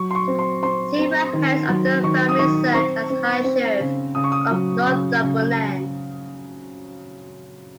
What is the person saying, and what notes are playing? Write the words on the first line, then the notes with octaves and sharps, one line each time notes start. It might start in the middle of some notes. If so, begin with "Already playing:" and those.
Several heads of the family served as High Sheriff of Northumberland.
Already playing: F#3 C#6
C6
C#6
C4
C6
C4 C6
C4
D#3
F#3
D#3 C#6
D#6
D#3 C#6
C4 C#6
C4
C4
C#3
C#3 D#6
C#6
D#6
F#3
C#3
C#3